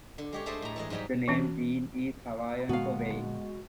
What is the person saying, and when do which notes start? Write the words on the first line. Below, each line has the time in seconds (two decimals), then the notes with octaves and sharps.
The name Wene is Hawaiian for "Wayne".
0.18 D3
0.33 G#3 G4 C#5
0.46 G#3 A3 A4 C5 D5 D#5
0.62 A2 A#5
0.76 E3 G#3 D#5
0.90 G#2 F#3 G3 D#5 B5
1.28 E3 C#4 F#4
2.69 A#2 D3 F3 G#3 B3 F#4 F5